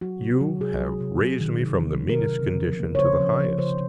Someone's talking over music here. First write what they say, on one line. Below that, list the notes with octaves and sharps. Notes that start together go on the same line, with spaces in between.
You have raised me from the meanest condition to the highest.
F#3 F#4
C3
F#4
F#3
C3 G#4
F#3
C3
F#3
D#3
C3
D#3
F#3
A#4
C3
C#3
F3
A#3
C#5
C#3 C5
F3
F3
C#3 C5